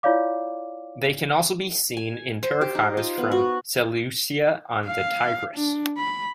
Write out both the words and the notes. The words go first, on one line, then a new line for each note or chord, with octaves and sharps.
They can also be seen in terracottas from Seleucia on the Tigris.
E4 F4 C#5 D5 F5 D6
G#5
C5
G4
D#4
F4
B3
F#4
F5
D4
B5